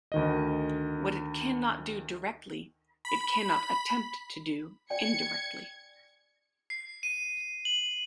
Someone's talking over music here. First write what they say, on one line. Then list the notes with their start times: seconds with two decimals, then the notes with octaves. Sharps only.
What it cannot do directly, it cannot attempt to do indirectly.
0.12 D2 D#3 D#5
3.05 B5
4.90 D5 G5 G#5 G#6 C#7
6.70 C7
7.03 D#7
7.65 F#7